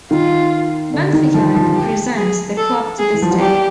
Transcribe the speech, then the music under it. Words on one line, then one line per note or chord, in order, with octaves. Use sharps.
Benfica and represents the club to this day.
D#3 F4
D3
D#3
F3
F3
G4
G#4
A4
G#4
E3
F3
F#3
G3 G4